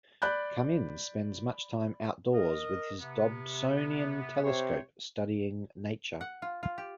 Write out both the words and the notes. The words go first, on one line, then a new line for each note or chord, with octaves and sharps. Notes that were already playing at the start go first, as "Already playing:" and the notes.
Kamin spends much time outdoors and with his Dobsonian telescope studying nature.
D5 B5 F#6 G6
A#4 D#5
C3 B3
C3 C5 C#5
F#5
F4
F4
G4